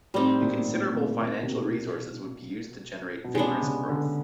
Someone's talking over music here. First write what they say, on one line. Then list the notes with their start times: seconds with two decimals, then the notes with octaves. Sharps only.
The considerable financial resources would be used to generate vigorous growth.
0.14 A2 G3 C4 D#4
0.41 A#2
0.68 A2
0.95 A#2
1.21 A#2
1.42 C3
1.48 B2
3.24 B2
3.35 C3 G#3 B3 D4
3.62 C#3
3.89 D3